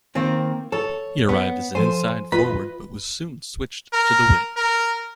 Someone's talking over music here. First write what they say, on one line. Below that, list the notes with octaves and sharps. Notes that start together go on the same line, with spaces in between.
He arrived as an inside forward but was soon switched to the wing.
D#3 A#3 C4
A4 C#5
B3
F3 A4 C5 G#5
F4 B4 D#5 B5
A#4
A#4